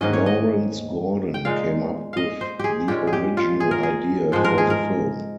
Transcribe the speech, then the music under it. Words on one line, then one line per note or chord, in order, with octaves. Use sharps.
Lawrence Gordon came up with the original idea for the film.
G#2 D#3 A#3 C#4 D#5
C#5
D#5
G5
A#2 G#3 D#4 F5
D#5 F5
C5
G4 G#4
A#2 G#3 C#4 G4
G#4
G4
F4
G#4
A#4
G#4
G#2 F3 G#3 C5
A#4
G#4
A#4